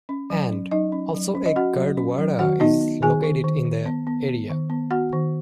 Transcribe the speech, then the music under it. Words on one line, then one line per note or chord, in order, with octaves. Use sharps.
And, also a Gurdwara is located in the area.
C#4
F#3
C#4
F#3 D#4 D#5
C#4
F#3
C#4
D#5
C#4 F#4 F#5
F#3
C#4
F#3
D#3 F#4 F#5
B3 D#4 D#5
B3
D#3 G#4 G#5
D#3
D#3
D#3
B3
B3
B3
D#3
B3
B3 F#4 F#5
D#3